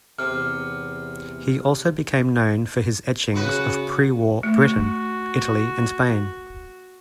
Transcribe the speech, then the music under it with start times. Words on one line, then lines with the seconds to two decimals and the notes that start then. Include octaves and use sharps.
He also became known for his etchings of pre-war Britain, Italy and Spain.
0.19 E2 C3 F6
3.34 C#3 B3 F#4 B4
4.43 A3 F#4